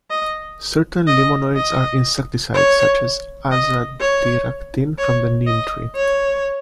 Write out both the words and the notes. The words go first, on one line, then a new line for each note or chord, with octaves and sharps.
Certain limonoids are insecticides such as azadirachtin from the neem tree.
D#5
D#5
D#5
C#5
D#5
C#5
C#5
D#5
C#5